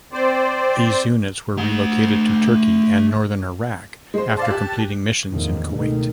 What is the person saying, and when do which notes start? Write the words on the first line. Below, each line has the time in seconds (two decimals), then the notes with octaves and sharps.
These units were relocated to Turkey and Northern Iraq after completing missions in Kuwait.
0.13 C4 C5 D5
1.57 A3 F#5
4.14 G#3 C5
4.37 C5 D5 F5 A5
4.51 G4 F#6
5.29 E2 A2 D3 D#3 F3 A#3
5.73 C#2 B2 D#3 E3 A3